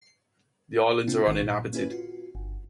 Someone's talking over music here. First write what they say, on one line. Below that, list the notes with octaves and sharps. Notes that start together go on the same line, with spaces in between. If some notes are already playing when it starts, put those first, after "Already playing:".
The islands are uninhabited.
C3 A#3 C4 D4 F4
A1 D#3 C#6 G6 G#6 C7
A#2
A#3 C#4 E4 G#4 B4
F4 F#4
G1